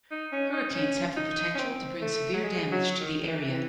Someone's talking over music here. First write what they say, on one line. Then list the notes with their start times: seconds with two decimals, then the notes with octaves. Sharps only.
Hurricanes have the potential to bring severe damage to the area.
0.11 D#4
0.32 C#4
0.53 D#4
0.74 C#4
1.16 D#4
1.55 C#4
1.59 C4
2.01 A3
2.34 F#3
2.43 G#3
2.71 F#3
3.00 D#3
3.27 E3